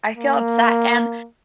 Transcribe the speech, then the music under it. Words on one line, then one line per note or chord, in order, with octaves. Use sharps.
I feel upset and
A#3